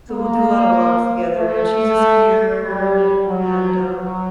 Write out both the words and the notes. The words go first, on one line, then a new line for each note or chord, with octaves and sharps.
so, we'll do a lot of walks together, and she's a skier and an and, um,
A#3
A3
G3
F#3
F#3